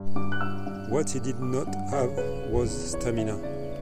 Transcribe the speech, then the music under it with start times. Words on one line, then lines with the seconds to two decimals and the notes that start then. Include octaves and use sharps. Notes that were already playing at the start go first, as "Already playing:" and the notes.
What he did not have was stamina.
Already playing: G2
0.16 G2 D6
0.32 F#6
0.41 G2 E6
0.66 G2
0.91 G2
1.17 A3
1.42 F#3 D6
1.67 G2 F#5
1.92 C#3 C#5
2.17 C#3 B4
2.42 C#3
2.67 E2
2.93 E3 C#5
3.18 E2 E5
3.43 C#3 D5